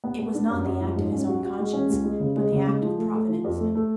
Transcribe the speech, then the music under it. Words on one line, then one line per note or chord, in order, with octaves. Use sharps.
It was not the act of his own conscience, but the act of Providence.
B3
B3
D4
F#2
F#2
F3
G#2
C#4
F#4
F#4
G#3
C#4
C#2
G#3
C#3
G#3
C#3
G#3
F3
A3
A3
F3
F2
A3
A3